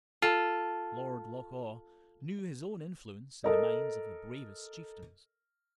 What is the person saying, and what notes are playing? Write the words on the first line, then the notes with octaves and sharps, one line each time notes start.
Lord Loch-awe knew his own influence in the minds of the bravest chieftains.
F4 A4
A4 A#4 D#5